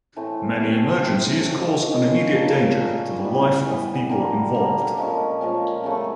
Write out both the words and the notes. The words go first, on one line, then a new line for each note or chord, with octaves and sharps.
Many emergencies cause an immediate danger to the life of people involved.
A2 E3 A3 C4
C3 E3 A3 C4
C3 E3 A3 C4
D#3 G#3 C#4 F4
D#3 G#3 C#4 F4
A#2 F3 A#3 C#4
A#2 F3 A#3 C#4
E3 G3 B3
E3 G3 B3
D3 G3 A#3
D3 G3 A#3
A#2 F3 G#3 C#4
A#2 F3 G#3 C#4
C#3 F#3 A3 C#4